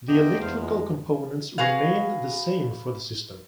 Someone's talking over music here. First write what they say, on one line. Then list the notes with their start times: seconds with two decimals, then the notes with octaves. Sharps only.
The electrical components remained the same for the system.
0.08 E2 D#5 G5 D6
0.42 F2 C#3 G#3 C5 F5
0.61 G#3 F4
1.58 F#4 G#4 B4 F5